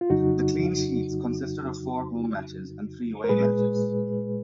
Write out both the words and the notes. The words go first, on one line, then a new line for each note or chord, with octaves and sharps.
The clean sheets consisted of four home matches and three away matches.
F4
F2 C#3 F#3 D#4 F#4
A#4
A#2 G#3 G#4 B4